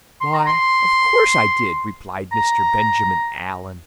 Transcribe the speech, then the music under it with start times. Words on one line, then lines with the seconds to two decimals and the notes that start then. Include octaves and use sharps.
'Why, of course I did,' replied Mr. Benjamin Allen.
0.21 C6
0.34 A#5
0.46 C6
2.32 A#5